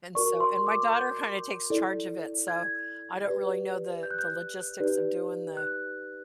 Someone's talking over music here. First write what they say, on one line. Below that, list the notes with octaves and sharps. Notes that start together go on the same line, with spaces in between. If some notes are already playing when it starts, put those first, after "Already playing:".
And so and my daughter kinda takes charge of it, so I don't really know the the logistics of doing the
F#4 A#4 D5 C#6
C6
D6
G6
E4 A4 D5
G#6
G4 B4 D5
G6
F#6
G6
D#4 G4 B4 D5
F#6